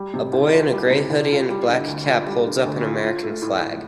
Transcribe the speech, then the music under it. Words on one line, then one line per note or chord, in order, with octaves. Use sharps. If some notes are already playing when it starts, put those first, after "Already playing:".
A boy in a gray hoodie and black cap holds up an American flag.
Already playing: G3
C3
C2
F4
G3
C3
C2
F4
G3
D3
D2
F4
G3
D3
D2
F4
F4
A3
A2
A2